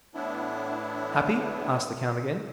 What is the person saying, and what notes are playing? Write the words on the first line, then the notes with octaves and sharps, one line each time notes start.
"Happy?" asked the count again.
A2 E3 B3 D4 E4